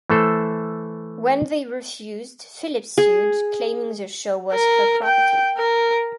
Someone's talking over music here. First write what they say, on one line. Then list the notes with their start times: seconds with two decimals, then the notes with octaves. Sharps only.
When they refused, Phillips sued, claiming the show was her property.
0.10 E3 A3 A4 C5
2.98 G#4
4.53 A#4
5.04 G5
5.57 A#4